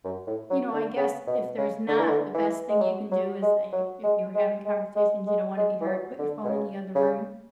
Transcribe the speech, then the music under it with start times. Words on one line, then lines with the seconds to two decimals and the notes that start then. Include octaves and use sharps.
you know, I guess if there's not, the best thing you can do is, like, if you were having conversations, you don't wanna be heard, put your phone in the other room.
0.04 F#2
0.27 A2
0.50 F#3
0.73 D3
0.96 C#3
1.27 B2
1.57 C#3
1.88 D3
1.99 E3
2.09 D3
2.35 E3
2.69 G#3
2.81 F#3
3.12 F#3
3.42 G#3
3.73 F#3
4.04 G#3
4.35 G#3
4.65 G#3
4.96 G#3
5.27 G#3
5.57 G#3
5.81 E3
5.88 F#3
6.19 D3
6.45 B2
6.49 C#3
6.95 C#3